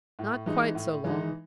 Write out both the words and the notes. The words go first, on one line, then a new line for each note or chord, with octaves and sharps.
"Not quite so long."
A2
E3 G#3 D#4
A2
E3 G#3 D#4